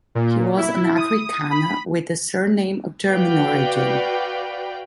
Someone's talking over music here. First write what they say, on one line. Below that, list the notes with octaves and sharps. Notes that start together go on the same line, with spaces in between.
He was an Afrikaner with a surname of German origin.
A#2
E4
D#6
B5
F#4 B4 D5 F5 G5